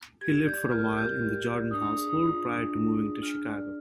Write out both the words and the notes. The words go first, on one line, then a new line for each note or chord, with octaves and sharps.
He lived for a while in the Jordan household prior to moving to Chicago.
G4 G#6
D5 G6
A#4 F6
G4 G6
G4
D5
D4 D#6
G#4
D#6
F4
D4
D4
G#4
D4 F6
D5